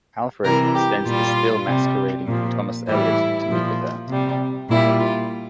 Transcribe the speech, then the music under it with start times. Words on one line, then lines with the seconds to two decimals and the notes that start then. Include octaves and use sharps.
Alfred sends the still-masquerading Thomas Elliot to meet with her.
0.44 C3 E3 G3 A#4
0.74 G4
1.05 A#2 G3 F4
1.66 C3 G3
2.26 A#2 F3
2.87 A2 E3 G3 E4
3.48 A#2 F3
4.08 C3 G3
4.69 A#2 G3 E4
4.99 F4